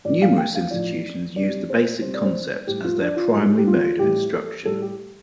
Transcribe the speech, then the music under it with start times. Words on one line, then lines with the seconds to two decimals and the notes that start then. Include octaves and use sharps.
Numerous institutions use the basic concept as their primary mode of instruction.
0.05 A2 F3 D5
0.22 F5
0.37 G5
0.55 F5
0.70 A2 F3 D5
1.36 C3 G3 D5
1.70 C5
2.02 C3 G3 C5
2.14 D5
2.25 C5
2.67 A2 G3 G4
2.84 F4
3.01 D4
3.17 F4
3.33 A2 G3
3.58 G4
3.67 F4
3.99 A2 G3 G4
4.33 A4
4.65 A2 G3 A4
4.82 G4